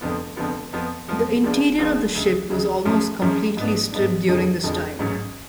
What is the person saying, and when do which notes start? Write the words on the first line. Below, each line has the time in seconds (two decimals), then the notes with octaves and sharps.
The interior of the ship was almost completely stripped during this time.
0.01 F1 F2 D3 F3 B3
0.37 F1 F2 D3 F3 B3
0.73 F2 F3 B3
1.08 F2 F3 B3
1.43 C#2 C#3 F3 B3 D4
1.78 C#2 C#3 F3 B3 D4
2.15 D2 C#3 G#3
2.50 D2 C#3 G#3
2.85 F#2 F3 G#3 C#4
3.21 F#2 F3 G#3 C#4
3.57 G#2 G#3 B3 D4
3.92 G#2 G#3 B3 D4
4.27 F1 F2 D3 G#3
4.63 F1 F2 D3 G#3
4.99 A1 G#2 F#3 C#4